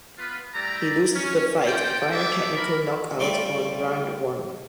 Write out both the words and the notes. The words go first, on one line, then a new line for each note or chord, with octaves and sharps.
He lost the fight via technical knockout on round one.
B3 F4 B4
G3 A3 E4 G4 D5 A#5
C#4
A#3 C#4 C5 D5 G5
G3 B3 E4 E5 A5 D6
A#4 B5
G3 A3 C4 F4 D5 E5